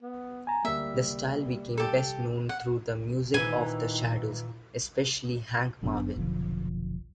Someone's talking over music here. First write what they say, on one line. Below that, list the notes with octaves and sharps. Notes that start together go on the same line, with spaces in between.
The style became best known through the music of the Shadows, especially Hank Marvin.
B3
G#5 A#5
D2 G3 A#3 E5
G4 A4
F#5
A#2 D#3 E3 G#5
G1 F#2 B3 D4
F1 B1 D3 F3